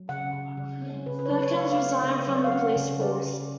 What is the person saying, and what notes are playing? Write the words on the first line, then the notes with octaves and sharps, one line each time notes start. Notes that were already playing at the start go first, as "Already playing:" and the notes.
Perkins resigned from the police force.
Already playing: F#3
C#3 F#5
C#3
C#3
C#4
C#3 B4
B4
C#5
F#3 B4
C#5
A3 F5
D5
F5
A3
C#3
B4
F#3 C#5
D5
F5
C#4 F#5
C#3
C#3 D5
C#3